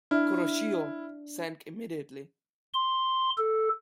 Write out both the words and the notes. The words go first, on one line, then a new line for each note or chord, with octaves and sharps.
"Kuroshio" sank immediately.
D4 E4 E5 F6
C6
A4